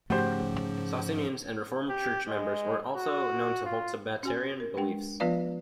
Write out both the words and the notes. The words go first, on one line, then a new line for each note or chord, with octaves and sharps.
Socinians and Reformed Church members were also known to hold Sabbatarian beliefs.
G#2 C#3 F3 A3 F#4 G4 C5
G4
G#3
F#4
F4
C#4 F#4 G#5
A#4
G#3 D4 G5
F3 B3 F4 B4 D5 F5